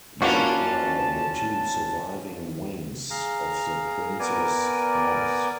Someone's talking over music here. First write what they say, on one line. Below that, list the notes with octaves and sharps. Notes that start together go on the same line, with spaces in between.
They are the two surviving wings of the Prince's House.
E3 A#3 C#4 D4 F4 F#4 A5
G#4 F5 A#5
B3 A#4 D5 G#5